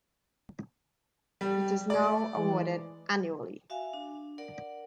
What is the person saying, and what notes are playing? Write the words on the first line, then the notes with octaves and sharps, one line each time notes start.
It is now awarded annually.
G3
A3 D5
E3 G#3
F#4 E5 F5 G#5
D4
A#4 D5 F#5